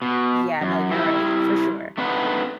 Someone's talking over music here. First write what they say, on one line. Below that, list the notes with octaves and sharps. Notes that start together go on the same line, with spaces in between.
Yeah, no, you're right, for sure.
B2
F#2
G3 E4
A3 C4 D4 D#4 B4 F#5